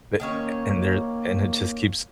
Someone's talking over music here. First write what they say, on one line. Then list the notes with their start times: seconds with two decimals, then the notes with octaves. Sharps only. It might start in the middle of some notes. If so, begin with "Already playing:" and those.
Th a and there and it just keeps
0.20 D#3 A#3 C#4 C#5